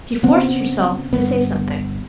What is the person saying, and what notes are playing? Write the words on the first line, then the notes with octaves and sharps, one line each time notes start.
She forced herself to say something.
C#3 B3 C4
G1 B3